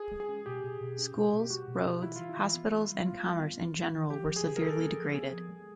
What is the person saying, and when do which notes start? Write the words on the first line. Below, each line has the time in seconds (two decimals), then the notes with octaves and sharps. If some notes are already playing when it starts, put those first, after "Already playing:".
Schools, roads, hospitals and commerce in general was severely degraded.
Already playing: G#4
0.11 G#3
0.20 G#4
0.29 C#4
0.46 B2 G4
0.64 B2
0.81 B2
0.98 C#4
1.15 B2
1.33 B2
1.40 G4
1.50 G#3 F#4
1.67 B2
1.76 F4
1.85 B2
2.02 E3 E4
2.16 E3 F4
2.29 E4
2.37 E3
2.54 B3
2.72 E3
2.89 G3
3.06 B3 F4
3.24 G3
3.40 B3
3.59 E3
3.76 E3
3.93 E3
4.10 G#3 G4
4.27 F3
4.36 G#4
4.45 C#3
4.56 A#4
4.62 G#3 A4
4.80 B3
4.97 F3
5.14 B3 G#4
5.31 F3
5.49 G#3